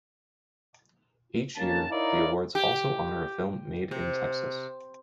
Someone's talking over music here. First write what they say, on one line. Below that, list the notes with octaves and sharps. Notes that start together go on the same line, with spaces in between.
Each year, the Awards also honor a film made in Texas.
D#2 D#3 A#3 C#4 A5
D#4 E4 A#4 C#5 D5 F5
G4
C3